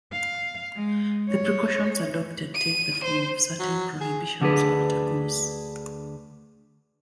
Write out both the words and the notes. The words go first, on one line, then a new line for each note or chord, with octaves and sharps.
The precautions adopted take the form of certain prohibitions or taboos.
F5
G#3
C#5
D#7
C5
F#3
G#4
D2 D3 D4 F#4 G#4 B4